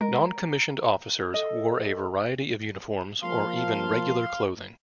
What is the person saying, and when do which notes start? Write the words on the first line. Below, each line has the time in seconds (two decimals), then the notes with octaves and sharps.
Non-commissioned officers wore a variety of uniforms, or even regular clothing.
0.01 G#3 A#4
1.34 A4 D#5
3.23 F3 A#3 F5 A5 C6